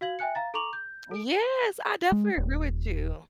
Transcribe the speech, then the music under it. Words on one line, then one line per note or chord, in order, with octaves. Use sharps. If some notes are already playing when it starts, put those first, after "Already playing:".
Yes, I definitely agree with you.
F#4 F5 G#6 F#7
E5 G5 G#5 F#6 C#7
F5 A#5 A6
A4 A#5 C#6 D6 F7 F#7
G6
A4 D7
G#3
D#1